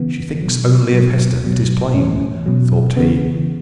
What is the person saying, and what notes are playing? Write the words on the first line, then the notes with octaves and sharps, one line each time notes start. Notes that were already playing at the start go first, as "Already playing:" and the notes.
"She thinks only of Hester, it is plain," thought he.
Already playing: C#3 E3 B3
B2 F#3
B2 F#3
B2 F#3
A2 C#4
E3
B2 F#3
C#3 E3 B3